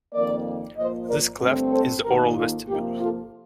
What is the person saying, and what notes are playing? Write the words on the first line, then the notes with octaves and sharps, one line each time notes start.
This cleft is the oral vestibule.
F2 D#3 A#3 A#4 D5
A#2 F3 A#3 C5 D#5
A#4 D5
G2 D3 A3 C4
A4 C5
D#2 D#3 A#3 G4 A#4
F4 A4
C3 F3 A#3 D#4 G4
F4 A4